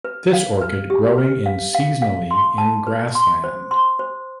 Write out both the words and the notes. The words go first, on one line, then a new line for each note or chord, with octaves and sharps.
This orchid growing in seasonally in grassland.
B4
F5
B4
G4
B4
F5
F5
F5
C6
A5
B4
C6
C5
C6
C5